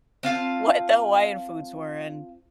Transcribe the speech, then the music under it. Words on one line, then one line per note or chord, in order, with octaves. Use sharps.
what the Hawaiian foods were, and,
C4 F4 F5 A5